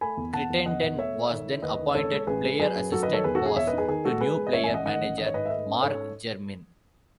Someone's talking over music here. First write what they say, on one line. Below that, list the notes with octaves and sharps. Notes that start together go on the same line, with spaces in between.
Crittenden was then appointed player-assistant boss to new player-manager Mark Jermyn.
A3 G#5 B5
E2
E2 F#5 A5
E2
E2 D#5 F#5
B2
A3 C#5 E5
A3
D#3
E4
D#2 B4 D#5
D#3
A1 A4 C#5
G#3
A1 G#4 B4
G#3
F#3 G#4 B4
F#2
F#3 F#4 A4
D#3 B4 D#5
A4 C#5
E2 G#4 B4
F#4 A4
B2 G#4
E2 C#5 E5
B4 D#5
D#4
G#4 B4
D#3 G#4
G#3 F#4 A4
G#3 G#4 B4
G#3
D#5
A1 C#5 E5
E5 G#5
A1
D#5 F#5
D#3 D#5 F#5
A1
D#3 D#5
C#5
G#2 B4 D#5
E5
A3 B4 D#5
C#4
G#2 A4 C#5